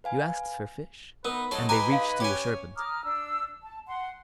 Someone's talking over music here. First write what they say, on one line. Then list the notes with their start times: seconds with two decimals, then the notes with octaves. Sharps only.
You asked for fish, and they reached you a serpent.
0.04 B4 F5 G#5
1.25 B3 D#4 A#4 B4
1.51 F#3 G#3 D#4 A4 D#5 C6
1.69 G4 B4 G#5 A#5 C6
1.92 F5
2.20 C#4 G4 C#5 G#5
2.75 A#5 D6 D#6 F6
3.04 D4 E6
3.62 A5
3.87 F#5 C6